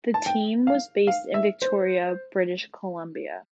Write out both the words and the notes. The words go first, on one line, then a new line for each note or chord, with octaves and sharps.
The team was based in Victoria, British Columbia.
A5
G5
F5
F5
E5
C5